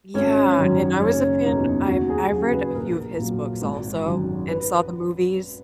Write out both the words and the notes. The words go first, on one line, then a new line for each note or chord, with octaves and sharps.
Yeah, and I was a fan. I've I've read a few of his books also and saw the movies
G#1 C#4
F#2 D#3 F#3
F#1 C#4
E2 B2 D#4
D#2 F#4
G#4
C#3 F#3 F#4
B4
A#1 A#4
A#2 F#3
G#1
F#2 D#3 F#3
B4